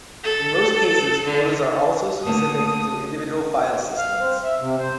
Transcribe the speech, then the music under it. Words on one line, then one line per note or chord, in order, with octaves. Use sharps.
In most cases, quotas are also specific to individual file systems.
A4
D3
D3 A3 A#3 D#6
F5
C4
E5
C3
C5